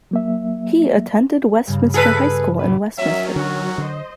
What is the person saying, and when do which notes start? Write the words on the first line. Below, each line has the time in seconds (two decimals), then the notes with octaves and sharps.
He attended Westminster High School in Westminster.
0.11 F#3 A#3 E5
1.67 G2 C#3
1.94 G#4 A4 B4 F6
2.59 A#1 D4 B4
2.98 D#3 F#3 C#4 E5
3.36 D3 D4 F#4
3.78 D3 C5 D#5